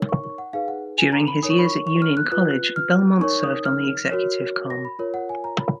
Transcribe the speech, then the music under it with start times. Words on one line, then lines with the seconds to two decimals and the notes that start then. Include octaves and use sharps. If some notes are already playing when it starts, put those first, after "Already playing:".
During his years at Union College, Belmonte served on the executive comm.
Already playing: D#4 A#4 C#5
0.09 C#6
0.24 C#6
0.38 F#5
0.53 D#4 G#4 B4 F5
0.68 F#5
0.98 G#5
1.12 A#5
1.28 B5
1.42 D#4 A#4 C#5 D#6
1.50 C#6
1.58 B5
1.66 C#6
1.87 C#6
2.02 F6
2.17 F#6
2.32 F4 B4 F#6
2.76 F6
3.21 D#4 A#4 C#5 C#6
3.43 D#6
3.65 F6
4.10 F#4 A#4 C#5
4.70 A#6
4.85 B5
4.99 F4 A#4 C#5
5.14 F#5
5.29 G#5
5.44 A#5
5.59 B5